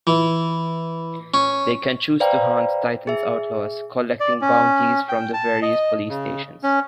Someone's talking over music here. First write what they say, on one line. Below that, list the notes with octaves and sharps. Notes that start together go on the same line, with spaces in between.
They can choose to hunt Titan's outlaws, collecting bounties from the various police stations.
E3
C#4
B4 C5 D5 F5 G5 A#5
G#4 E5
D5
C#4
G5
A5
D#5
C#3
C#4